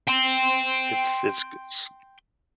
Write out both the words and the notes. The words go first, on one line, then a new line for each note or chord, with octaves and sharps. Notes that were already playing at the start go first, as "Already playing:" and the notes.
it's it's g it's
G5 C6